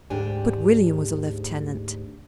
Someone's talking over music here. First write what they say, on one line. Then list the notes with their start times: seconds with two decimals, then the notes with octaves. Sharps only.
But William was a lieutenant.
0.10 D2 G#2 D4 G4 G#5